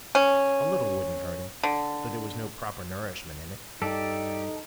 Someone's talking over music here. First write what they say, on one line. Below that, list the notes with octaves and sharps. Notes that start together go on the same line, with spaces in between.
A little wouldn't hurt him, though there was no proper nourishment in it.
C#4
D3
G2 D#4 G4 A4 D5